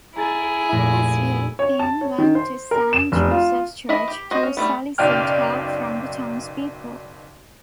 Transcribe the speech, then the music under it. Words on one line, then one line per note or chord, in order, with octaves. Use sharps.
Cooper's Will Kane went to Saint Joseph's Church to solicit help from the townspeople.
E4 G#4 A#5 A6
F1 A#2 A#6
C#5
A5
C#5
D#3
C5
A#4
E7
F1
F4
E3 D#5 E5 B5
G4
F#4 C5 D#5
C#4
G3 A3 B3
F#1 B1 D5 G5 F6